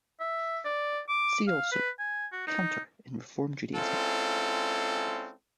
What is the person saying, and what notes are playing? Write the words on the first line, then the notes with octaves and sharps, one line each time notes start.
See also: Cantor in Reform Judaism.
E5
D5
D6
F5
B4
G#5
F#4
D#4
G#3 C4 C#4 E4 F4 A4